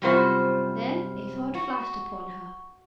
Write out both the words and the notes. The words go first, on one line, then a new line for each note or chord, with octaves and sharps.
Then a thought flashed upon her.
F#2 C3 G3 F4 F#4 C5
F#4